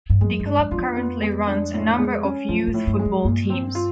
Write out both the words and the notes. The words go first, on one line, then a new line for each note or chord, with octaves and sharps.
The Club currently runs a number of youth football teams.
G2
F#2 G#3
G2
D4
F2
E2 F4
F2
B3
G#3
D4
A2
G#3
C#4
F#2 F3
G#2
A2
G2
G#3
F#2
G2 A#2
C4
F4